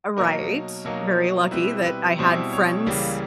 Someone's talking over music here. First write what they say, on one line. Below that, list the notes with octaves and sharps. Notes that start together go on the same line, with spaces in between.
A right, very lucky that I had friends.
B2 F#3 A#3 D#4 A#4
B2 F#3 A#3 D#4
B2 G3 C4 E4 B4
B4
B2 G3 C4 E4 C5
C#5
C#2 C#3 E3 G3 A#3